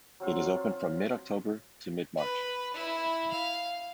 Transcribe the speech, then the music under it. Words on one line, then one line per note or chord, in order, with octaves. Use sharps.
It is open from mid-October to mid-March.
F#3 C4 F4
B4
E4
F5